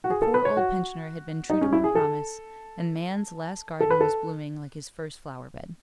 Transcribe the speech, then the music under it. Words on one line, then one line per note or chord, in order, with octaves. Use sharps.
The poor old pensioner had been true to her promise, and man's last garden was blooming like his first flower-bed.
F#4
G#4
A4
B4
C#5
F#4
D#4
C#4
E4
G#4
A4
A4
B4
A4